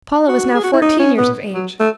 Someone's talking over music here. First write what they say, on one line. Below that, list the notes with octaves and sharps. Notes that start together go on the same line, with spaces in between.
Paula was now fourteen years of age.
F#4
G#4
F#4
E4
D#4
C#4
B3
F#3
A3